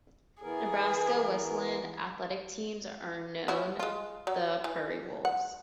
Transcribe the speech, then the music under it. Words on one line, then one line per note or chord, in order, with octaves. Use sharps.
Nebraska Wesleyan athletic teams are known the Prairie Wolves.
E3 B3 G#4 A#4
F#3 C#4 E4
G#3 F4
F#3
E3
F#5